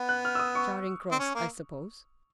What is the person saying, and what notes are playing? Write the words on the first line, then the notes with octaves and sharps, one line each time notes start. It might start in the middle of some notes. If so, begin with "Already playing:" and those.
"Charing Cross, I suppose!"
Already playing: B3
F#6
F6
E6
D#6
C#6
C4
C#4
A#3